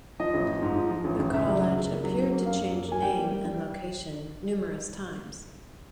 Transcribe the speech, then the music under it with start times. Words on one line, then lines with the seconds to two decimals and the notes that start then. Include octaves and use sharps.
The College appeared to change name and location numerous times.
0.20 F3 D#5
0.34 A1
0.48 F3
0.62 G#2
0.76 F3
0.91 F3
1.04 A1
1.19 A1
1.33 C#2 E5
1.47 F#3
1.61 C#2
1.76 C#2
1.90 A#3
2.04 F#3
2.18 F#3
2.32 A#3
2.46 F#2 F5
2.61 F#2
2.75 A#3
2.88 A#3 G#5
3.02 G3 G5
3.17 A#3
3.32 G3
3.45 G3